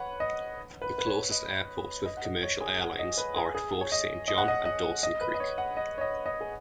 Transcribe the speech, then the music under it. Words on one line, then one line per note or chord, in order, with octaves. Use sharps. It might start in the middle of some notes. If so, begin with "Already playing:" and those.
The closest airports with commercial airlines are at Fort Saint John and Dawson Creek.
Already playing: B4 C#5 F#5
D#5
B4
B4
C#5
D#5
D#5
F#5
D#5
C#5
G#4
F#5
D#5
B4
G#4
G#4
C#5
D#5
D#5
F#5
D#5
D#5
D#5
B4
D#5
C#5
F#5
D#5
C#5
D#5
D#5
G#4